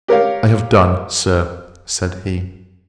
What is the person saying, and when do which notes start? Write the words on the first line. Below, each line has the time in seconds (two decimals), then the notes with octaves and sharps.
I have done, Sir, said he.
0.08 G4 A#4 C#5 F5